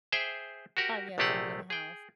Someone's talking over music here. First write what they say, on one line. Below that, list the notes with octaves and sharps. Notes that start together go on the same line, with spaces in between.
Uh, yes, I'm in a house.
G#4 C5 E5 G5
F#4 G4 A#4 F#5
A#1 C3 A3 G4 G#4 F#5
G#4 G5